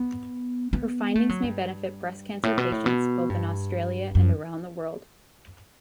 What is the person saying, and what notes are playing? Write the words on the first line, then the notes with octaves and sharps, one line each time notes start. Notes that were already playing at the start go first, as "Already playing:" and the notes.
Her findings may benefit breast cancer patients both in Australia and around the world.
Already playing: B3
B3
A3
F#3
G2
A2
B2
A2
B2
G2
F#2